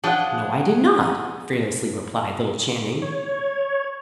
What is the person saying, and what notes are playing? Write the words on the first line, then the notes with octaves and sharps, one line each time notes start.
"No, I did not!" fearlessly replied little Channing.
F3 D4 G#4 F#5 G5
C#5